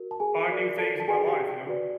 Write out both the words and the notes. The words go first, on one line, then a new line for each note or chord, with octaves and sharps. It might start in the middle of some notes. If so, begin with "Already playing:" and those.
find new things in my life, you know?
Already playing: F#4 A#4
A5
G#4 G#5
F#4 A#4 D5
A4 A5
A5
F#4 G#4 B4 D5 G#5
G4 G5
F#4 B4 D5